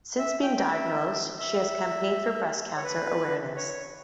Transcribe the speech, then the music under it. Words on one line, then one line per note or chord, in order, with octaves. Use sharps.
Since being diagnosed, she has campaigned for breast cancer awareness.
E5
G5
G5
E5
E5
C#5
B4
C#5